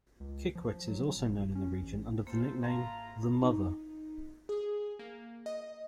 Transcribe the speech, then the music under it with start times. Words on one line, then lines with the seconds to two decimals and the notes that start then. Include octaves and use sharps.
Kikwit is also known in the region under the nickname "The Mother".
0.20 C#2
0.55 F3
0.88 F#3
1.16 D#1
1.55 C#4
1.82 A1
2.27 A#3 F4 A4 C5
2.63 G#2 E4 F4 F5 A5 A#5
3.42 D#4
4.49 G#4
4.99 A#3
5.46 D#5